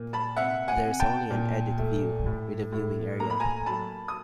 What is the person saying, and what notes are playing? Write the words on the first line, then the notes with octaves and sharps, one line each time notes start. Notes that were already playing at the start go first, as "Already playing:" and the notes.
There is only an "edit view" with a viewing area.
Already playing: A#2 A#3
A5 B5
C3 E5 F#5
F#5 G#5
C3
G5 A5
A#2
A3
A2
A2
A#3 A#5
B5
G#5 A#5
F#3 A5 B5
D#6